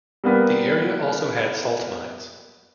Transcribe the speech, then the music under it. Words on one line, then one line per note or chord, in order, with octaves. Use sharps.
The area also had salt mines.
G3 A#3 B3